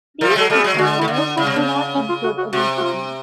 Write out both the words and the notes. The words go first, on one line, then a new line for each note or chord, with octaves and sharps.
These disorders do not include obesity.
F3 G3 A#4
A3
F#3 G#3 A4
G3 A3 A4
G#4
F#3 G#3
D#3
D3 F#4
E4
D#3
D3
D#4
C#3 E4
C3
C#3 D4
C#4
C#4
F4
F#4
F#4
C3 F#4
F#4
F4